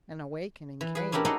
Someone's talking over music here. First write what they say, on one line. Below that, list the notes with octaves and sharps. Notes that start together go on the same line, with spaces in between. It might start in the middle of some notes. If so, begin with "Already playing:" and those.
An awakening came.
E3
G#4 B4
C#4 D4 E4 G4 A#4
D#4 F#4 G#4 A4 D5 D#5